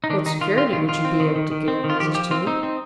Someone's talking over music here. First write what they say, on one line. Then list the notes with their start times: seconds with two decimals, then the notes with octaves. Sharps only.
"What security would you be able to give, Mrs. Toomey?"
0.04 D#4
0.10 D#3 D4
0.26 D#3 D#4
0.41 D#3 F4
0.57 C4 F4
0.73 D#3 F4
0.89 D#3 F4
1.05 C4
1.20 D#3
1.36 D#3
1.52 D#3
1.68 C4
1.84 D#3
1.90 F4
2.00 F3 G4
2.15 F3 G4
2.31 C4 F4
2.47 C4 D#4
2.63 C4